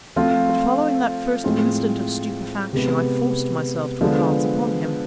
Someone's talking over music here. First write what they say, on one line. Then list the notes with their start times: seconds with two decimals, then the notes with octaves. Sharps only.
But, following that first instant of stupefaction, I forced myself to advance upon him.
0.16 F3 A3 C4 F4
1.44 A2 F3 G#3 C4 F4
2.73 C3 G#3 B3
4.01 D3 F3 G#3 B3